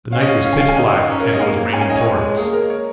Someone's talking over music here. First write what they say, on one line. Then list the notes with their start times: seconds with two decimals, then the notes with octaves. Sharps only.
The night was pitch black and it was raining torrents.
0.12 C#4 F5
0.21 D#5
0.28 F5
0.45 F5
0.53 G#5
0.60 F5
0.68 G#5
0.77 D#4 F5
1.09 C#4
1.20 A#4
1.27 C#5
1.33 D#5
1.41 A#3 F5
1.73 C#4 G#5
1.81 F5
1.90 D#5
1.97 C#5
2.05 G#3
2.21 C#5
2.37 A#3 G#4
2.53 A#4
2.70 C#5